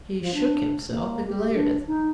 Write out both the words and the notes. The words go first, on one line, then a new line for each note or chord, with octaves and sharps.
He shook himself and glared at them.
F3
D4
A#3
G4
D4
D#4